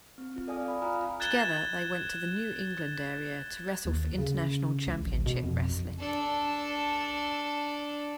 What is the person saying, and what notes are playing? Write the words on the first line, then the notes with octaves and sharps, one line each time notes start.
Together, they went to the New England area to wrestle for International Championship Wrestling.
C4
C4 F4
A4 D5 F5 G#5 D#6 F6
B5
F4 F5 G#5 A#5 B5 F6
F#6 G#6 A6 E7 G7
D#2
C#3
C#2
A1
B2
F2
D4 A4